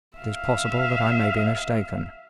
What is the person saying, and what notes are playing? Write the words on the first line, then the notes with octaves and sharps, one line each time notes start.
It is possible that I may be mistaken.
E5 F5